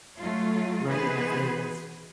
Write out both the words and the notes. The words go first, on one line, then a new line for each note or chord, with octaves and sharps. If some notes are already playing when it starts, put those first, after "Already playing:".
learning things.
F#3 A3 F4
D#3 E3 B3 G#4 B4 C5